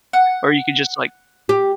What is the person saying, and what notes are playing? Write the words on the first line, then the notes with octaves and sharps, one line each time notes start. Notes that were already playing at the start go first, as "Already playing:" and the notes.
Or you could just, like,
F#5
G4